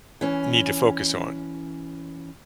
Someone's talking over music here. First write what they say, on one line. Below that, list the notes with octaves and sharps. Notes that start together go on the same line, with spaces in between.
need to focus on,
E3 C#4